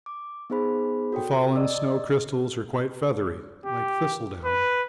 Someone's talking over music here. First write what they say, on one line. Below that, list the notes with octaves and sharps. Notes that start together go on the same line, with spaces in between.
The fallen snow crystals are quite feathery like thistledown.
D6
B3 D#4 G#4 C5 B5
F#4 A4 C#5 G5
D5 D#5 E6
G4
B4